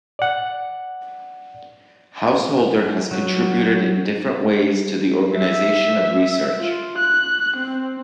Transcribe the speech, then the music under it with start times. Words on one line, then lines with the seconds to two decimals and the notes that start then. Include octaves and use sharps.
Householder has contributed in different ways to the organisation of research.
0.19 D5 F#5
3.11 F#3
5.36 E5
6.60 F4
6.98 F#6
7.57 C4